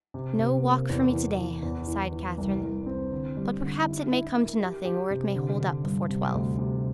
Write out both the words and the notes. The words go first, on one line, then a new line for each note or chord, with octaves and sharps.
"No walk for me today," sighed Catherine; "but perhaps it may come to nothing, or it may hold up before twelve."
C3
C3
A#3
E2
E3
E3
E2
E3
E3
C2
C2
C4
D3
G3
D3
E4
E4
A#4
G4
G4
C3
D3
D3
G2
C3
D2
C3